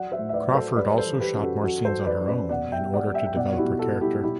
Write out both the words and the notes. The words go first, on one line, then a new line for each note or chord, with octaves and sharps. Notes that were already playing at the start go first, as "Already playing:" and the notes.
Crawford also shot more scenes on her own in order to develop her character.
Already playing: F#3 D5 F#5
C5 E5
A2
E5
B4 D5
F#3
A4 C5
G3 B4 D5
A4 C5
E3
G4 B4
F#2
F#4 A4
F#3 F#4 A4
A4 C5
F#3
B4 D5
F#2
B4 D5
B2 D5 F#5
E5 G5
G3
D5 F#5
G3
E5 G5
G5
B2 D5 F#5
F#4
E4 G4
B2
F#4 A4
G3
E4 G4
B2 E4 G4